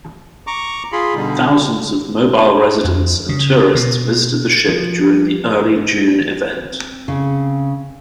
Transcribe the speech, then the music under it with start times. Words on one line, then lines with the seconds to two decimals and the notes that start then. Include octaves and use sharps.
Thousands of Mobile residents and tourists visited the ship during the early June event.
0.47 A#5 C#6 D6
0.92 F4 G#4 B5 C6
1.15 B2 D3 G3 D#4
2.85 F2
3.29 C#3
3.75 B2
4.69 F3
6.69 C4
7.08 C#3